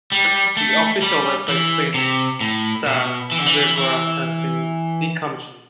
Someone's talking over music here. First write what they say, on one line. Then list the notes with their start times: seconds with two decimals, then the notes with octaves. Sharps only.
The official website states that "Zebra has been decommissioned".
0.12 G3
0.57 A3
1.02 G3
1.48 E3
1.94 C3
2.41 A2
2.86 B2
3.32 E3
3.38 D3
3.46 E3
3.78 E3